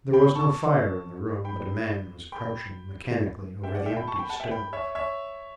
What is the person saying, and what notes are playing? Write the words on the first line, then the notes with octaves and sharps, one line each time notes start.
There was no fire in the room; but a man was crouching, mechanically, over the empty stove.
G5 B5
A5 C#6
G5 B5
G5 B5
E5 G5
D5 F#5
E5 G5
G5 B5
A5 C#6
G5 B5
F#5 A5
E5 G5
G5 B5
C#5 E5
C#5 E5